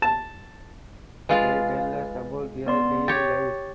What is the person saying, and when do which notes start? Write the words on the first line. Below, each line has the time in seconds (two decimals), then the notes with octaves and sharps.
They tell us about their daily lives.
0.02 A5
1.29 G#3 F4 B4 F5 A6
2.67 B3 D5 C6
3.08 G4 C#5 A6